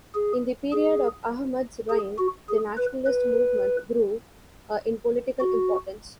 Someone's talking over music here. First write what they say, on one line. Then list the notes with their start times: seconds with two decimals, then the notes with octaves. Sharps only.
In the period of Ahmad's reign, the nationalist movement grew in political importance.
0.15 G#4
0.73 G#4
1.90 G#4
2.19 F#4
2.49 G#4
2.78 B4
3.07 B4
5.41 F#4